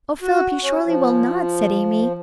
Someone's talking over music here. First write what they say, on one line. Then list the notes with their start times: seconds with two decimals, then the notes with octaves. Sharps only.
'O Philip, you surely will not?' said Amy.
0.22 F#4
0.63 C#4
0.87 F3